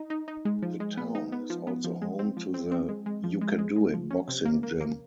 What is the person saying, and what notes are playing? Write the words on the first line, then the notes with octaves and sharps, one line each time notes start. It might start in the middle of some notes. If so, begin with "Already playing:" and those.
The town is also home to the "U Can Do It" boxing gym.
Already playing: D#4
D#4
D#4
G#3
F3
G#3
B3
D#4
B3
F3
B3
F3
G#3
C4
F3
C4
C4
G#3
G#3
F3
G#3
G#3
G#3
F3
C#4
C3
A#3
A#3
A#3